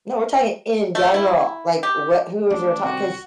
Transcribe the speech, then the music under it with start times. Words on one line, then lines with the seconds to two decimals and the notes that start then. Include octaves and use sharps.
No, we're talking in general. Like, what who is your top 'cause
0.95 A3
1.14 E4
1.83 G4
2.50 A1 A3 D4
2.84 C2 D#3 G3 C4 F#4